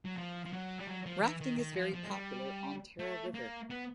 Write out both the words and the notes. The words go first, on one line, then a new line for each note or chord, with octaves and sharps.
Rafting is very popular on Tara River.
F#3
F3
F3
F#3
G3
F#3
F3
E3
D#3
D#3
F3
F3
G#3
G3
A3
A#3
B3